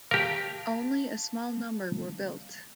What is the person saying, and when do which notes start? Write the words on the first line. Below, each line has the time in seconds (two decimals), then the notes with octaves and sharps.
Only a small number were built.
0.11 G4 A#4 F5 A5